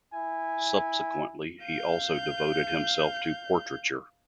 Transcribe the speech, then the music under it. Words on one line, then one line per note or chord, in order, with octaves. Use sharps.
Subsequently he also devoted himself to portraiture.
E4 G#5
F5 G6